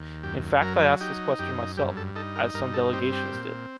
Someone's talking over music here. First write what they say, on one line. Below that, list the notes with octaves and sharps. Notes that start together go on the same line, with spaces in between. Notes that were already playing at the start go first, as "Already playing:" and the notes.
In fact I asked this question myself, as some delegations did.
Already playing: D#2
F#2 G4
F#3 A#4
D#4 G4
F#2 G4
G2 G4
A4
D#4 A4
A#4
G2 A#4
A4
C4 G4
G4
A#2